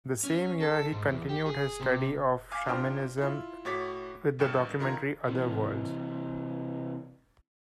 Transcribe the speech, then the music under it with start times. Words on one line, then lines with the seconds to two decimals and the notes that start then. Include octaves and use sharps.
The same year, he continued his study of shamanism with the documentary "Other Worlds".
0.23 C#4
0.60 A4
0.92 G#2
1.07 E2
1.29 G4
1.46 G#4
1.80 C3
2.52 F5 G#5 D6 F6
2.66 C3 D4 F4 C5 G5 F6
3.18 E4 F4
3.65 A2 F#4 C#5 D6 A6 B6
4.39 G#1 G2 G5 F6 C#7 E7
4.79 D3 D#3 F4 A#5 G#6
5.26 C3 E3